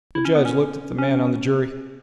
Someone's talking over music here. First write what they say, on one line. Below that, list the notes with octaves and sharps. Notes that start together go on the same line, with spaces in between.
The judge looked at the man on the jury.
E4
C#4
B3
C#4
C#4